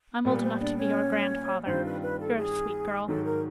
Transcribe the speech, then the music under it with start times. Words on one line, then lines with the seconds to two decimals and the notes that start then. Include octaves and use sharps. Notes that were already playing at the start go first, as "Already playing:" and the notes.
I'm old enough to be your grandfather. You're a sweet girl.
0.25 A#2 G3 B3 A#4
0.42 C5
0.59 D4 D5
0.77 C#4 C#5
1.66 G2 D#3 G3 C4 F4 C5
1.84 B4
2.01 B4
2.19 A4
2.37 G#4
3.08 G#2 D#3 F#3 A4
3.25 A#4